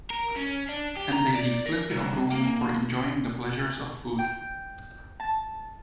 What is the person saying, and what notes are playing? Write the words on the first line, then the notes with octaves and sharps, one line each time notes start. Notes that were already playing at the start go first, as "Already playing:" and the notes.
And they leave plenty of room for enjoying the pleasures of food.
A#4
C#4
D4
G4
A#5
D5
A#4
C2
A#3
G5
A5